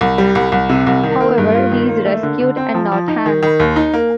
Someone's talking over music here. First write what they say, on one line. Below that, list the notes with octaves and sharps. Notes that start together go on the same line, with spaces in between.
However, he is rescued and not hanged.
C2
G3
C2
C2
C3
C2
D#3
A#3
G2
F4
D#3
A#3
A3
D3
D3
C4
F3
F3
D#4
D#3
D#3
D#2
D#4
A#3